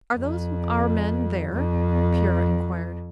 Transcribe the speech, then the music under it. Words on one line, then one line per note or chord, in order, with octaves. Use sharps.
"Are those our men there?" Pierre inquired.
F2
F2